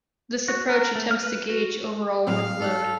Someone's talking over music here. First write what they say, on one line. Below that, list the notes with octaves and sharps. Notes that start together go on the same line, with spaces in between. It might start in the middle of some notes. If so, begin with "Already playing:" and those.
This approach attempts to gauge overall workload.
F#4
A#4
A3
F6
B4
F#4
A2 F#3 C4 F5
G#2 A4 F6 F#6